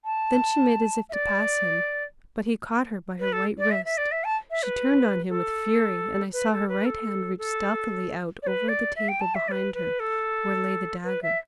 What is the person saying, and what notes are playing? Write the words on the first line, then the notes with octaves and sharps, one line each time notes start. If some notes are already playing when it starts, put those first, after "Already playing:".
Then she made as if to pass him, but he caught her by her white wrist; she turned on him with fury, and I saw her right hand reach stealthily out over the table behind her, where lay the dagger.
A5
E5
D5
B4
A4
D5
E5
E5
D5
E5
A5
E5
B4
A4
B4
A4
B4
A4
A4
D5
B4
D5
E5
G5
A5
E5
D5
B4
B4
A4
B4
E5